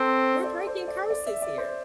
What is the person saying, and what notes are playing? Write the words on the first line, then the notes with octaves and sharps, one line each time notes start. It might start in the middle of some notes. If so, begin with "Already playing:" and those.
We're breaking curses here.
Already playing: C4 A4
D5
C5
D5
D5
E5
D5
C5